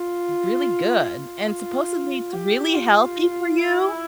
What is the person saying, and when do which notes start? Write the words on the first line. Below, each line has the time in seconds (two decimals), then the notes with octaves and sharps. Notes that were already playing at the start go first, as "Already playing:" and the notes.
really good and supposedly it's really healthy for you.
Already playing: F4
1.07 F4
2.33 G4
2.74 F4
3.58 E4